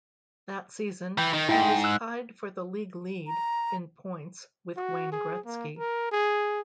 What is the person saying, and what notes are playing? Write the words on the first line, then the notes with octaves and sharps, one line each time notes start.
That season, he was tied for the league lead in points with Wayne Gretzky.
E3 G5
D#3
G#2 E4 G5
E6 F#6
A#5
F#4
G#4
A#3
A#4
G#4